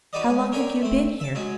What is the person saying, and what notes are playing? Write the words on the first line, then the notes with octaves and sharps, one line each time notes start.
"How long have you been here?"
D#4 F#4 G4 B4 D5 D#5
G#3 C#4
D3 A#4 C#5 G5 G#5 B5
A3 C4
E5 A5
F#3 G#3 C#4